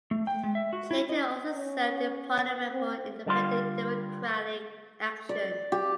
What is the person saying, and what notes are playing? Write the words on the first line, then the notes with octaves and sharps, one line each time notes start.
She later also served in parliament for Independent Democratic Action.
A3
G5
G#3
E5
F#4
E4
D#5
C#4
C4
D3 G3 F4 C6
D5
G4